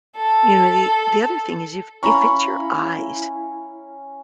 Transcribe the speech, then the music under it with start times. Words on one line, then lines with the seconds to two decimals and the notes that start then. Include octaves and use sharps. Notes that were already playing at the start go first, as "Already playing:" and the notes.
You know, the the other thing is if if it's your eyes
0.16 A4
2.03 C#4 E4 F5 A#5 B5 C#6